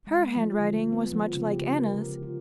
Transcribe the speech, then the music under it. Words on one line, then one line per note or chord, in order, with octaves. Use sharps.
Her handwriting was much like Anna's.
G#3
F3
D3
B3
F3
C#3
G4
A#4
F4